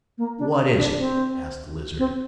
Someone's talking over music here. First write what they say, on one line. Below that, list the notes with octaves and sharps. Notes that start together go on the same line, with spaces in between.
"What is it?" asked the Lizard.
A#3
D4
D4
C4
C4